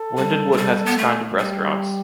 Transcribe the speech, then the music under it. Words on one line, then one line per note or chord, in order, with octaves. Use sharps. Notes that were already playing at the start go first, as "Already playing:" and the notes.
Lindenwood has its kind of restaurants.
Already playing: A4
G3
A3
G3
B3
A3
G3 G4